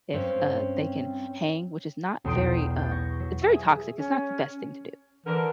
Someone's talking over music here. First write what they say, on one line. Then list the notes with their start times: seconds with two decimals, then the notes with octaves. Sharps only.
if, uh, they can hang, which is not very, um it's very toxic, it's not the best thing to do.
0.13 G2 C4 C#4 C5
2.25 B1 E2 G5 C6 D#6 D7
2.76 G6 A6
2.91 C#6 A#6
3.20 F#3
3.42 E5 G#5
3.55 G#4
3.98 C#4
5.26 D3 E3 D4 A#4